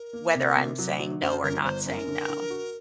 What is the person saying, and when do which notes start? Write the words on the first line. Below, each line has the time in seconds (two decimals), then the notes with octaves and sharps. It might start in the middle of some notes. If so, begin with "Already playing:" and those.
whether I'm saying no or not saying no,
Already playing: A#4
0.13 A#3
0.35 C3
0.57 C3
0.78 F#3
0.99 F#3
1.22 F#2 C5
1.43 G1 A#4
1.64 G1 C5
1.86 F#2 C5
1.91 A#4
2.08 D3
2.29 D3
2.50 F#4